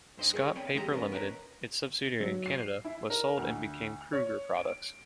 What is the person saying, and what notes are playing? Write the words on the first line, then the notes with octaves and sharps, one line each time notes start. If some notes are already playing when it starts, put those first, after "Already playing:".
Scott Paper Limited, its subsidiary in Canada, was sold and became Kruger Products.
G2 C5 D#5
G#4 A#4 C#5
C4 C#5 D5 G#5 B5
E2 G#3 G4 G#4 B4 A#5
E2 B3 C#4 A#4
A#4 B4 C#5 D#5 G5 A#5
F#3
C7
E4
A#4
D2
C#5
D7